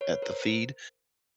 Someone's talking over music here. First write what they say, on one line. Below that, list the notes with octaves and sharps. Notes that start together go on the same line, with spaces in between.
a at the feed,
B4 C#5
A#4 C5